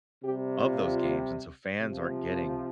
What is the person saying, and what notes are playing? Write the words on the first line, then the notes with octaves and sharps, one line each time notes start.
of those games, and so fans aren't getting
C3 G3 G4
F4
C3 F3